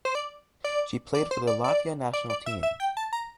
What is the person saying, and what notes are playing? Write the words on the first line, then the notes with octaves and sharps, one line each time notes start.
She played for the Latvia national team.
C5
D5
D5
D5
C5
D5
D5
D5
D5
E5
E5
G5
A5
A#5